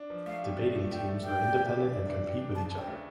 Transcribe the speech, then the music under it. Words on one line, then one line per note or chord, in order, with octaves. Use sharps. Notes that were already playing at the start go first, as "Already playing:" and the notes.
Debating teams are independent and compete with each other.
Already playing: D4
F3
A3 F5
G4
D4
A3
A3 G5
A3
D4 G5
G4
G4
E3
D4
D4
G4
D4
C#3 A5
C#3
G5
A3